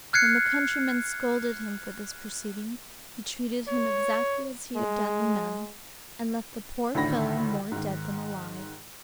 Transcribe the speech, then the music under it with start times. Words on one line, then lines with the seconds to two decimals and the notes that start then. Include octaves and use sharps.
When the countryman scolded him for this proceeding he treated him exactly as he had done the nun, and left the poor fellow more dead than alive.
0.13 F6 F#6 G#6 C7 C#7
3.68 C#5
4.76 G#3
6.95 D2 A2 D3 D#3 B5 A#6
7.72 G#2 D#3